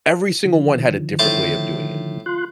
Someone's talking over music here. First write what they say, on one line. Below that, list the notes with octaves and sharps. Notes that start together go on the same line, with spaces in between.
every single one had a different way of doing it,
D3 D#3 F3
A2 C5 A5
F4 C6 F#6